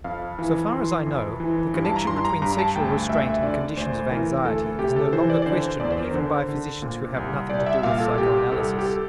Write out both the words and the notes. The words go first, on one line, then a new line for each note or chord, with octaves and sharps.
So far as I know, the connection between sexual restraint and conditions of anxiety is no longer questioned even by physicians who have nothing to do with psychoanalysis.
F2 F5
E3
E3 C6
F2
E3
G2
A5
A#5
G2 C6
A#5
G2 A#5
A#5
A5
D2 G5
D2 E5
D3 D5
D2 C5
E3 A#4
D2 A4
C3 G4
A4
E3 C5
D5
D5
D3 C5
E2 D5
C5
A#4
D3 C5
D3
A#2
C2
C2 D5
E5
A#2 F5
A4
C2 G4
C2 A4
G4
A4